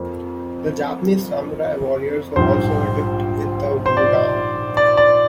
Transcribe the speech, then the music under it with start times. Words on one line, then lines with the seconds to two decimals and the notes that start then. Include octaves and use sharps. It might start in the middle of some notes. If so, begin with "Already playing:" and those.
The Japanese samurai warriors were also adept with the wodao.
Already playing: F2 A#3
2.36 A#1 G#2 G3 C5
3.86 C5
3.97 D5
4.77 D5
4.97 D5